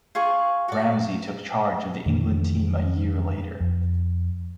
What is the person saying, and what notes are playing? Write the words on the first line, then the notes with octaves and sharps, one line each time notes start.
Ramsey took charge of the England team a year later.
F4 G#4 C#6
F#4 D5
F2 D#3 E3 D4
F2